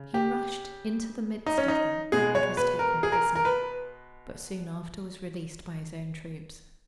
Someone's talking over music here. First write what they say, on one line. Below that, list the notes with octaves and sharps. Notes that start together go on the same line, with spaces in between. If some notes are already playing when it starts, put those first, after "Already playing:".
He rushed into the midst of them, and was taken prisoner; but soon after was released by his own troops.
Already playing: C#3
G4
D#4
C#4
D#4
B2 G#3 G#4
C#5
B4
A#4
G#4
A#4
A#4
B4